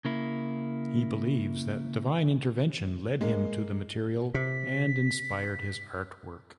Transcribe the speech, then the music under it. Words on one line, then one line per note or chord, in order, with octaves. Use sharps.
He believes that divine intervention led him to the material and inspired his artwork.
C#3 A#3 E4
G#3 A#3
C3 B6